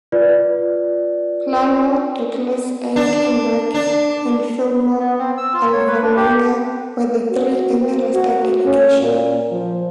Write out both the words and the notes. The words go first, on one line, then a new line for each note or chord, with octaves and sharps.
Planno, Douglas Aiken Mack, and Fillmore Alvaranga were the three in the Rasta delegation.
F4 B4 D5
D4
D4
B3
C4
E6
F4
C#5
B4
D4
G4
F#4
C4
F#4
C#4
A#2
F3